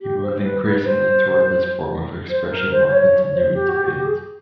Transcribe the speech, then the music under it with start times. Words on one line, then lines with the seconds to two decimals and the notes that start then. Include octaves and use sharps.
He moved increasingly toward this form of expression while continuing to paint.
0.01 G4
0.23 C5
0.43 B4
0.64 B4
0.77 B4
0.85 C5
2.30 C5
2.51 A#4
2.71 C5
2.88 C5
2.92 C#5
3.33 C5
3.54 G4
3.69 F#4
3.75 G4
3.85 F#4
3.95 G4
4.06 G#4